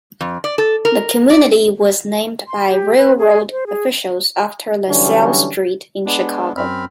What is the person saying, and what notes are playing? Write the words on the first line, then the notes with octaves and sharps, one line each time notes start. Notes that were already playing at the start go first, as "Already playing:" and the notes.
The community was named by railroad officials after LaSalle Street in Chicago.
F2
D5
A4
A#4
D5
C6
G4
B4
G#4
C5
G#4
D3 E3 F#3 G3 C#4 D4
G#3 B3 D4
F#2 C4 B5 F6